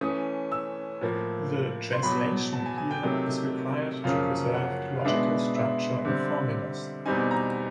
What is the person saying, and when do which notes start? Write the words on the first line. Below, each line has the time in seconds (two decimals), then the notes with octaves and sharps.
The "translation" here is required to preserve the logical structure of formulas.
0.01 E3 A3 C#4 D#6
0.52 E6
1.01 A2 F3 A#3
1.93 C6
2.03 E2 B2 F#3 B5
2.53 A5
2.66 G#5
2.78 G#5
2.91 G5
3.03 C3 D#3 F#3 A3
4.04 F#2 C#3 F3 A#3 C#4 F5
4.54 F#5
5.01 F5
5.04 B2 G#3 B3 D4 E5
5.55 E5
6.05 D3 G3 C4
7.06 E2 B2 G3 C4 D#4 G#5
7.31 A#5